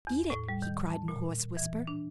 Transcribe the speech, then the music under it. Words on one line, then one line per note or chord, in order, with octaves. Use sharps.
"Beat it!" he cried in a hoarse whisper.
E2
A2
G3
D#3
A5
A#2
E3
D4